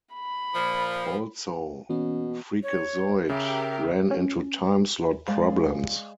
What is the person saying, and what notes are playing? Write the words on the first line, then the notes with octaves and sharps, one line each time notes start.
Also, "Freakazoid" ran into timeslot problems.
B5
A#2 F3
B2 E3 A#3 C#4
C#5
C#3 G4 A#4 E5
C#4
G#3 D5 F5